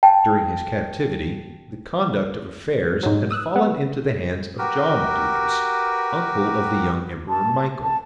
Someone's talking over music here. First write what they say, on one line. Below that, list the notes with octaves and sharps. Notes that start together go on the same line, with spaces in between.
During his captivity the conduct of affairs had fallen into the hands of John Ducas, uncle of the young emperor Michael.
G5 A5
G#2 F#3
D#6 E6 F#6
B3
F#4 G4 A#4 B4
A5
A5